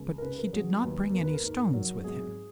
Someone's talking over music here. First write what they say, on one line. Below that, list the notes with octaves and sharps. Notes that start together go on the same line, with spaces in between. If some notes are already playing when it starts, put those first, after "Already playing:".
But he did not bring any stones with him.
Already playing: C#2
A#4
C#3 B4
A#4
F#3 G#4
D#2 B4
D#2 A#4
B4
A#4
G#2
F#3
G#1 G#4